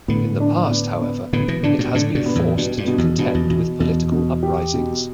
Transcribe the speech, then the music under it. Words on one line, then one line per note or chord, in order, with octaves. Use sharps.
In the past, however, it has been forced to contend with political uprisings.
A2 D3 B3
D4
B3
B3
A2 D3 B3
B2 E3
A2 D3 D4
G2 B2
A2 D3 D4
G2 B2
B3
E2 A2
G2 B2
G2
B2
E2
G2 B2
E2
E2 B2
E2 B2
B2
G4
B2